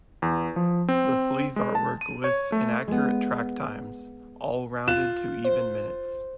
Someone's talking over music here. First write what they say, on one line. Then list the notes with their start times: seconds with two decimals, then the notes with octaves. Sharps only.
The sleeve artwork lists inaccurate track times, all rounded to even minutes.
0.22 E2
0.56 F3
0.88 C4
1.56 G#3
1.75 A5
2.01 D#7
2.24 C#5
2.52 A3
2.88 G#3 B3
4.88 F4 F#6 E7
5.45 C5